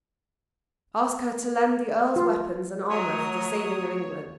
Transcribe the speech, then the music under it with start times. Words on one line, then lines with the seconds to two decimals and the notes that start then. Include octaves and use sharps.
"Ask her to lend the earl's weapons and armor for the saving of England."
2.16 F4
2.90 F#3 A3 A#4 C#5 D#6